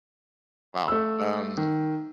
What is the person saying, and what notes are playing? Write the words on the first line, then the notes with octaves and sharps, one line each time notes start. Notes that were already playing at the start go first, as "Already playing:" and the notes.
Wow, um
A3 E6
D#3